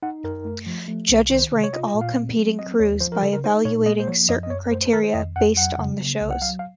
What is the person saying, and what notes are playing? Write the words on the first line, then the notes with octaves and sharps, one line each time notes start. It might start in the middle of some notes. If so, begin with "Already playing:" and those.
Judges rank all competing crews by evaluating certain criteria based on the shows.
D#4 F#5
F#2 A#4
A3
F3
A3
C2
D#3 C5
C3
C#5
F4 D#5
D#5
A#2
F5
C4
F#3
C4 D#5
D#2 C#5
F3 C5
A#4
C#3 A4
A#4
D#4 C5
A#2 C#5
A#3 D#5
C5
F3 C#5
F#2 D#5
D#5
F#2 C#5
A#4
A3 C5
C5
D#3 A#4
C5
F2 D#5
F2 F#5
F#3 F#5
C#3
A#3
C2
F#5
F#3 F5
F5